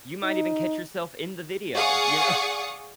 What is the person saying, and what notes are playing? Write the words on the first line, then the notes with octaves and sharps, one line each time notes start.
You might even catch yourself in the video, you
D#4
G#4 D5 F5 F#5 C#6 D#6